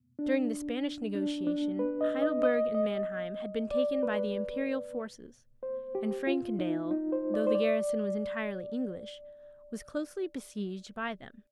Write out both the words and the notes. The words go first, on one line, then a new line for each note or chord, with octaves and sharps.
During the Spanish negotiation, Heidelberg and Manheim had been taken by the imperial forces; and Frankendale, though the garrison was entirely English, was closely besieged by them.
D4
D4
D4
B4
D#5
D#5
D#5
D#5
D5
B4
C5
G4
F4
D#4
D#4
C5
D5
C5
D5